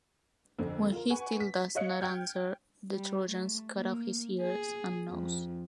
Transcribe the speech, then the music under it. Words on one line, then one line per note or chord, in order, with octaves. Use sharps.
When he still does not answer, the Trojans cut off his ears and nose.
A#1 F2 D3 F3
F4 A#4
B4 F#5 G#5 C#6
B6
C#5 D#5 F5 F#6 C#7
G5 F6 G6 G#6
G3
A3
A#3
G#4
F2